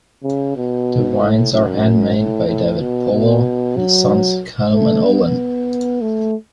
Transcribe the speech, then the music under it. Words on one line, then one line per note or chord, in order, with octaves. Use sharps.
The wines are handmade by David Powell and his sons Callum and Owen.
C#3
B2
A2
F#2
A2
A2
B2
B2
F#3
A3
B3
A3